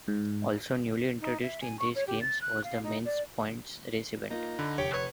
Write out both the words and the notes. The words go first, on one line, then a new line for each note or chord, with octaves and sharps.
Also newly introduced in these Games was the men's points race event.
G#2
D#4
E5
G#5
C#6
C#5
G4
A6
F#6
F5
D#4
D5
A#3 D#4 F4
D3 B5
F1 G4 C#5
B4 C#5